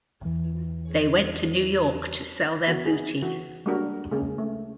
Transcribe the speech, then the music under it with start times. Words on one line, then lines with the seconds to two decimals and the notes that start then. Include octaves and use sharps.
They went to New York to sell their booty.
0.21 E2 E3
2.67 E3 B3 F#4
2.85 G#4
3.22 E3 F#4
3.66 G3 G#3 A#3 D4 F#4 A#4
4.11 C#3 G#3 A#3 C#4 G#4
4.38 A3